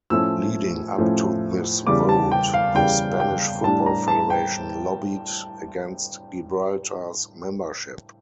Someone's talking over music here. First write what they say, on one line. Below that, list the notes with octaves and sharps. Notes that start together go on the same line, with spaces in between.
Leading up to this vote, the Spanish football federation lobbied against Gibraltar's membership.
A2 F3 A3 C#4 E6
A2 F3 A3 C#4
E2 C#3 G3 D6
A5
G5
F5
E2 C#3 G3 G5
G5
A2 G3 D4 A5
A#5
A5
G5